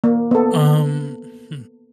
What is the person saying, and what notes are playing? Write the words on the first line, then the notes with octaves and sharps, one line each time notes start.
Um. Hmm.
A#3
B3 A4